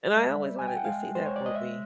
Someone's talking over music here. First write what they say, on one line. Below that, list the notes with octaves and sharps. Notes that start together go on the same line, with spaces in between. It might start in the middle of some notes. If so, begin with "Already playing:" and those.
and I always wanted to see that movie.
D#5
G#3 E5
G#3
G3
G3 G#5
G5
F#5
G#3 F5
C5
C#5
D5
D#5
E5